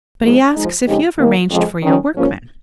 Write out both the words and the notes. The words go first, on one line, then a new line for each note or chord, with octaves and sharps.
But he asks if you have arranged for your workmen.
G#2 F3 G#3
F3 G#3 D#4
F2 C#3 G#3 D#4 G4
D#2 D#3 A#3
F2 C#3 F3 G#3 C4
D#3 G3 C#4
G#2 F3 A#3 C#4 F4